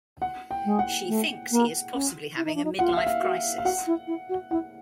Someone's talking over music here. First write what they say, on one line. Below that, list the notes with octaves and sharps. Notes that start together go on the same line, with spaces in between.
She thinks he is possibly having a midlife crisis.
F#5
G5
G#3
F#5
A3
A#3
C#4
E4
D#4
D4
D#4
F4 F#5
F5
E5
F5
F#4
F5
F#4 F#5
E4
E4
F#4
E4 F#5